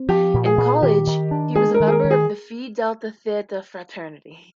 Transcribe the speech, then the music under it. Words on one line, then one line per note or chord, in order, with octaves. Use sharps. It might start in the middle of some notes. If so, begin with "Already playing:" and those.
In college, he was a member of the Phi Delta Theta fraternity.
Already playing: C4
F3 G4
A#2
G#4
A#2
D#3 G4
D#3
D4
G#3 G#4
A#4
D#3
G#4
A#4
D#3
G#4